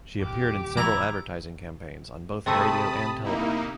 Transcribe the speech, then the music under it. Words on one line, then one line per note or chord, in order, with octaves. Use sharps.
She appeared in several advertising campaigns on both radio and television.
D#1 E2 G4 D6
E4 A#5
C3 A3 A5 B5 D#6
A#3 D#4 E4